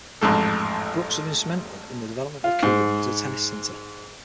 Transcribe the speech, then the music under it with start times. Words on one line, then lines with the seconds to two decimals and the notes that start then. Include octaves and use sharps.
Brookes was instrumental in the development of Kooyong as a tennis centre.
0.21 A1 F2 G#2 A4
2.44 F4
2.63 G#2